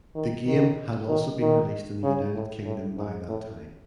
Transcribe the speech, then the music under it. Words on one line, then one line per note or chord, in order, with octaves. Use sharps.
The game had also been released in the United Kingdom by that time.
D#3
D#3
D#3
D#3
C#3
A2
A2
G#2
A2